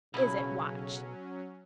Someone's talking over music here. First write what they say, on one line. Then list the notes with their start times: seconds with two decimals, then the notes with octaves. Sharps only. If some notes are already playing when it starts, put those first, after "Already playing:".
"Is it, Watch?"
0.14 B1 C#3 F#3 B3 C#4 E4